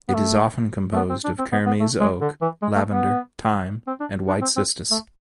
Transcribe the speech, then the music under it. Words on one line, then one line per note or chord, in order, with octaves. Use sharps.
It is often composed of kermes oak, lavender, thyme, and white cistus.
B3
A3
A3
B3
C4
D4
C4
B3
B3
A3
G#3
D3
E3
G#3
A3
B3
C4
D4
D4
C4
C4
A3